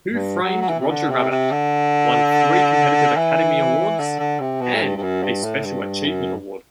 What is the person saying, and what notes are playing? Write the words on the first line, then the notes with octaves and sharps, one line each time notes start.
"Who Framed Roger Rabbit" won three competitive Academy Awards and a Special Achievement Award.
G2
F#3
F#3
E3
C3
D3
C3
C3
D3
E3
D3
D3
C3
B2
A2
G2
G2
F#2
G2
A2
G2
F#2